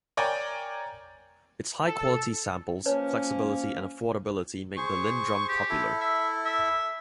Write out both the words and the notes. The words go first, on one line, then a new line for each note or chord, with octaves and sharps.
Its high-quality samples, flexibility and affordability made the LinnDrum popular.
A#4 C#5 D5 G5 G#5 A#5
A4
F3 A#3 C#4 B4 C#5 A5
G#4 C5 C#6
G4
E4 A4
E5
E5